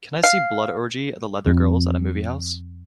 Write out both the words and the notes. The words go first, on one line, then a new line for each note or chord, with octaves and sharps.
Can I see Blood Orgy of the Leather Girls at a movie house.
F5
F2